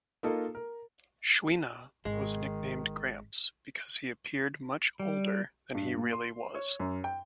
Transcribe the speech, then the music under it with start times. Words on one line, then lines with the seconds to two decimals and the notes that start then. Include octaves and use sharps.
Chouinard was nicknamed "Gramps" because he appeared much older than he really was.
0.23 A#3 D#4 F4 A4
0.55 A#4
2.05 G#1 D#3 G#3
5.00 G3
5.75 G2
5.97 A#2
6.13 C6
6.55 C#5
6.80 F#2
7.04 G5